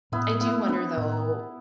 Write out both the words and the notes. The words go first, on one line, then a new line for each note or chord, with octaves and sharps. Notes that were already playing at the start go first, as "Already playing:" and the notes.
I do wonder though
A2 B3 E4
A3 B3 E4
B3 D4 E4
A2